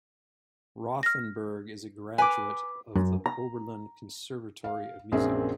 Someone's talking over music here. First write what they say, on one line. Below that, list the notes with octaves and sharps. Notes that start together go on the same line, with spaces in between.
Rothenberg is a graduate of the Oberlin Conservatory of Music.
F6 A#6
B4 G#5 D6
F#2
A#5
F5
A#1 F#2 C4 G#4 A#4 E5